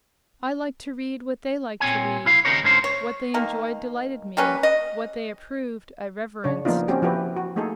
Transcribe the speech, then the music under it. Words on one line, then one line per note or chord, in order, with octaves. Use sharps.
I liked to read what they liked to read: what they enjoyed, delighted me; what they approved, I reverenced.
A#2 C4 C#5 G#5
B1 E4 F5
D#2 G#2 C#3 D#4 A#4 C#5
G#2 D3 C#4 C5
C#5
B2 D#3 A#3
G3 A#3 C#4 B4
D#5
C#3 D4 C#5
F3 A#3 B3 D4 D#4 F4
C4 C#4 F#4 G4
F3 E4 F#4 G4 B4
F#4
A3 A#3 D#4 G#4 A4